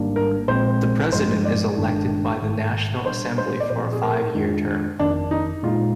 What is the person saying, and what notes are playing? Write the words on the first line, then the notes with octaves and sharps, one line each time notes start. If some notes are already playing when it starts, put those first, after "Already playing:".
The president is elected by the National Assembly for a five-year term.
Already playing: G#1 G#2 G3 A#3 D4
A#4
A#1 A#2 G#3 C4 C5
G2 F3 G#3 C5
D5
G1 G2 D#3 G#3 D4
G#1 G#2 D#3
A#2 G3 D4 C5
C5
D5
A#2 F3 C4 C5
G#4
A#4
F2 D#3 G#3 D4 F4
G1 F2 D#3 D4
D#4
A#2 G#3 D#4 F4